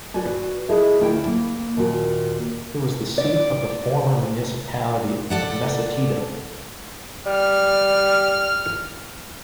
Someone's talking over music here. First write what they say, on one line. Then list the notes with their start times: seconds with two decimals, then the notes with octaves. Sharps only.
It was the seat of the former municipality of Messatida.
0.14 F#4 B4 D5 G#5
0.69 E4 G#4 A4 D#5 E5
1.00 D2 A2 A3 E4 F#5 G5
1.27 A#3
1.76 D#2 A#2 A#3 F#4
3.18 D5
5.30 A4 D5 F#5
7.26 G3 F6